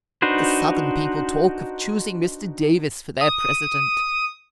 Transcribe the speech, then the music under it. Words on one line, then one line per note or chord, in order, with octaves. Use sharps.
The Southern people talk of choosing Mr. Davis for their President.
D4 D#4 F#4 B4 C5
D#6